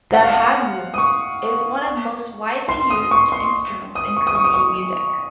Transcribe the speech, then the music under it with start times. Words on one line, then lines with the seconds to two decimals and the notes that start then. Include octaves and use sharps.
The "haegeum" is one of the most widely used instruments in Korean music.
0.14 F#5
0.23 F5
0.32 F#5
0.94 D#6
0.98 C#6
2.69 C6
2.90 D#6
3.11 C#6
3.32 C6
3.95 D#6
4.17 C#6
4.27 D#6
4.35 C#6
4.44 D#6
4.54 C#6